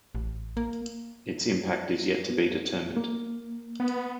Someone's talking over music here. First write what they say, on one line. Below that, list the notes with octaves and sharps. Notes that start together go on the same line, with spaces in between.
Its impact is yet to be determined.
A1
A#3
B3
A#3
B3